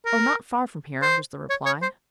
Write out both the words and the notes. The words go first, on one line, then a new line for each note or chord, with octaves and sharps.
'Oh, not far from here,' was the reply.
A#4
C5
C#5
C#5
C5